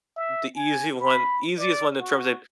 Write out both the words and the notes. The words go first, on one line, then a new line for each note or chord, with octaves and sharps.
the easy one easiest one in terms of
E5
G#5
B5
D5
F#4